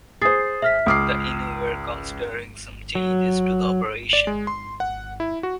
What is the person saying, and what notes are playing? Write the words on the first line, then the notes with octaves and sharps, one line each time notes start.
The Innu were considering some changes to the operation.
G#4 C5 D#6 A6 C7
E5 F6 B6
C#2 D6 D#6 F6 C7
F#3
D5
G#3
C6
F#5
E4
F#4